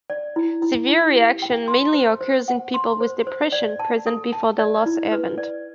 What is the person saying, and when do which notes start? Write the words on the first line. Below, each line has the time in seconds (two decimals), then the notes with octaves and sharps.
Severe reactions mainly occur in people with depression present before the loss event.
0.10 D5
0.36 E4
0.62 E4
0.89 E4
1.15 G4
1.42 G5
1.68 C6
1.94 C5
2.21 C5
2.48 F#5
2.74 C6
3.00 C5
3.27 C5
3.52 D5
3.79 A5
4.06 A4
4.33 A5
4.59 D5
4.86 E4
5.12 B4
5.38 D5